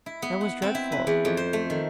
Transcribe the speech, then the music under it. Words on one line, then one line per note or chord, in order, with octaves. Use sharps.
That was dreadful.
E4
B3
F#5
C4
E4
B4
E2
F2
C5
A3
D#3